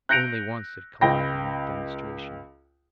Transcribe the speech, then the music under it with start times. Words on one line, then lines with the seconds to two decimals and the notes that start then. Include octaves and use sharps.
Only once did Calliope make demonstration.
0.09 F#6 G6 A#6 C#7 D7 F7
1.01 C#2 G5 B5 A#6